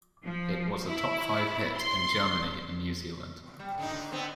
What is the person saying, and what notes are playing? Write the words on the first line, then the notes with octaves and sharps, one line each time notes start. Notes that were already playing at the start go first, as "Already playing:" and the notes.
It was a top five hit in Germany and New Zealand.
F3
E4
C6
G3
D3 D4 D#4
D3 B3 C4